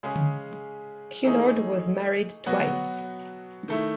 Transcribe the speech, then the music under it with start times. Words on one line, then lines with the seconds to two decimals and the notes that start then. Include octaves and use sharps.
Cunard was married twice.
0.03 C#3 G#3 C#4 G#4
1.24 E3 A3 D#4 G#4
2.46 B2 F#3 B3 F#4
3.68 D#3 A3 E4